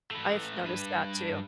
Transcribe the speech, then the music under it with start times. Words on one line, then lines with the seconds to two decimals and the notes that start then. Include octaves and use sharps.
I've noticed that too.
0.11 A3 B4
0.64 G2 B4